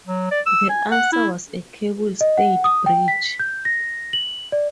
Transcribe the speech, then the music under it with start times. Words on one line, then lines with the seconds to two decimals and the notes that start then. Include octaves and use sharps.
The answer was a cable-stayed bridge.
0.07 F#3
0.31 D5
0.46 E6
0.69 G#5
0.91 F#5
1.13 E4
2.21 D#5
2.38 F#5
2.64 D#6
2.86 G5
3.08 B6
3.39 G6
3.65 A#6
4.13 F#7
4.52 D5